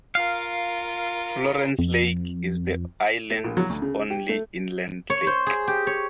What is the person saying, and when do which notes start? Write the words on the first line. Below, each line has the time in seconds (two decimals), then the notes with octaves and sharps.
Florence Lake is the island's only inland lake.
0.15 F4 A#4 F5
1.79 F2
3.31 A3
3.44 A#1
3.57 F#3
3.70 D2
3.82 C#3
4.10 G4
4.29 A3
5.10 C#5
5.27 C5
5.46 G#4
5.68 G4
5.87 C#5